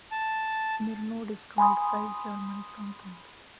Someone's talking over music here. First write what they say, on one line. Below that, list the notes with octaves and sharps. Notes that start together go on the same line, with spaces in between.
Smirnov destroyed five German strongpoints.
A5
G#5 B5 C6 D#6